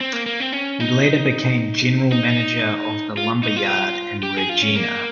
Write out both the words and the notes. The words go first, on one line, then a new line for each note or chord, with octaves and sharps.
He later became general manager of the lumber yard in Regina.
C4
A#3
A#3
C4
C#4
D#4
D#4
F4
D#4
F4
G4
G#4
F4
C#4
A#3